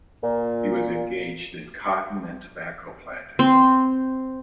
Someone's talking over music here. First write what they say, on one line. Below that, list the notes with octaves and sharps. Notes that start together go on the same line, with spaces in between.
He was engaged in cotton and tobacco planting.
A#2
C4